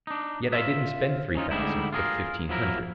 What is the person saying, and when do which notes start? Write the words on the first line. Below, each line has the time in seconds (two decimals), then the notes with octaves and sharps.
Yet I didn't spend three thousand, but fifteen hundred.
0.07 D4 D#4
0.52 F4 E5
1.35 C#4 D#4 F4
1.51 G#2 D3 G3 A3 D#4 E4
1.92 F4 G#4 A#4
2.49 F3 F#3 E4 A#4